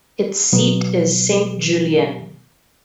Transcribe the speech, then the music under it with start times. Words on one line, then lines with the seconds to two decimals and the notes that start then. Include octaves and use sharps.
Its seat is Sainte-Julienne.
0.53 B2 F#3 B3